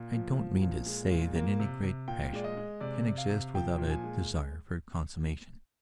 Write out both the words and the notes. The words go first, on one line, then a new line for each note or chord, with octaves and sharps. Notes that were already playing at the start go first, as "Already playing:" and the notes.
I don't mean to say that any great passion can exist without a desire for consummation.
Already playing: A#2
F3
F3
A#2
G#3
A#2
A#3
C3
C3
A#2 G5
G#3 D5
D#5
G#3
C3 D5
C3
F5
C3
F3 G5
A#2
G#5
G#3